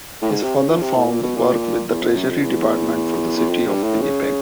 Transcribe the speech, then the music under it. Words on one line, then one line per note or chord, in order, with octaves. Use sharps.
His father found work with the treasury department for the city of Winnipeg.
A2
G#2
C3
C#3
F3
C3
A2
A#2
B2
A#2
E2
F2
F#2
F2
E2
E2
F2
G2
A2
C#3